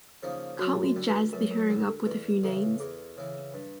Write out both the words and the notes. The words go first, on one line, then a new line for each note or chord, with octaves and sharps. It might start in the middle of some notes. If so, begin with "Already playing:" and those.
Can't we jazz the hearing up with a few names?
C#3 F3 A#3 D#4
F#2 F#4
F#4
D3 G3
B4
F#2 A#4
A#4
D3 G3 A#4
A#4
A4
E2 B4
C#3 E3 A4
E2 G#4
C#3 E3
G2